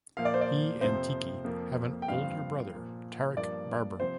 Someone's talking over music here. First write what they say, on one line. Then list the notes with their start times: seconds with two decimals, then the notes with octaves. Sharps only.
He and Tiki have an older brother, Tarik Barber.
0.17 A#2 F3 A#3 F5
0.25 D5
0.34 C5
0.41 D5
0.81 F2 C3 F3 C5
1.44 F2 F3 A#3
2.02 G5
2.08 G2 F3 C4 F5
2.72 A#2 F3 A#3
3.36 G2 F3 A#3 D5
4.00 C3 F3 C4 C5